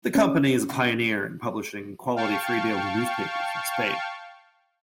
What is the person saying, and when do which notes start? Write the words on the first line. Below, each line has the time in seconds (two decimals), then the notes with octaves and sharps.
The company is a pioneer in publishing quality free daily newspapers in Spain.
0.15 C#4
2.16 F5 G5 A5 C#6